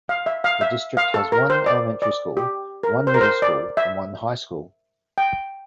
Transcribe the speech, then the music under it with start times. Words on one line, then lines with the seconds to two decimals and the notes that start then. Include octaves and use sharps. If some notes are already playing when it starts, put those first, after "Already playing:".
The district has one elementary school, one middle school and one high school.
0.09 F5
0.26 E5
0.44 F5
0.61 E5
0.97 F5
1.14 A4
1.32 A#4
1.50 C5
1.66 D5
2.02 D5
2.37 G4
2.83 A#4
3.07 C5
3.14 A#4
3.21 C5
3.42 D5
3.77 E5
5.18 G5